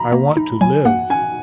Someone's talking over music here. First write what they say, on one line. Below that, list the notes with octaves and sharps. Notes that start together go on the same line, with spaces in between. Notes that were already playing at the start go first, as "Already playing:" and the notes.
I Want to Live!
Already playing: A#5 B5
A#3
D#4
F#3 G#5
A#3 F#5
C#4 G#5